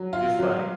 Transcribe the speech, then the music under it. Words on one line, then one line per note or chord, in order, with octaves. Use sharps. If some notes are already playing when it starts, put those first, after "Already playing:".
just, like,
Already playing: F#3
F4
F#3